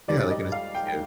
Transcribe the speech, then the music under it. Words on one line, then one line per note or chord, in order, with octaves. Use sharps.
Yeah. Like an associate.
F2 D#3 G3 D5
D#5
F5
G5
G5